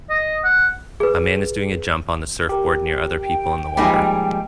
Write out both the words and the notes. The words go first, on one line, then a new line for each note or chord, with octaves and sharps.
A man is doing a jump on the surfboard near other people in the water.
D#5
F#5
G#4 B4
G4 A#4
G5
F3 G3 G#3 A#3 D#4 G#4